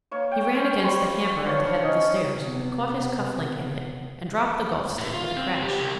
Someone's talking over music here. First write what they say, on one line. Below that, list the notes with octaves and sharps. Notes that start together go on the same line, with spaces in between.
He ran against the hamper at the head of the stairs, caught his cuff-link in it, and dropped the golf-stick with a crash.
A#3 C#5
G5
C#4 C5 G#5
G3 C6 C#6
D4 F4 C5 C#5
C#4 D#4 G#5
C3 B3
A2
F4
C4
G2 G4
C2